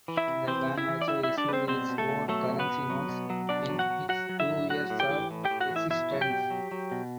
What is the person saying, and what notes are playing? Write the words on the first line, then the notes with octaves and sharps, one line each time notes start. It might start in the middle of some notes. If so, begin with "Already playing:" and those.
The bank also issued its own currency notes in its two years of existence.
E3
E4 E5
C3
E3 C4 C5
C3
E4 E5
E3
D5
G3 E4 E5
G3 E4 E5
D4 D5
G3 C4 B4 C5
B2 C4 C5
B2
A3 A4
B2
F#3 A3 A4
B2
B3 B4
B2
F#3
B2
F#3
B2 D4 D5
F#3
F#4 F#5
F#3
F#3 F#4 F#5
F#3
E4 E5
F#3
A2 F#4 F#5
A2
G4 G5
E3
A2
G4 G5
A2
F#4 F#5
E3
E4 E5
B2 E4 E5
F#3
G4 G5
B2
F#3
F#3
B2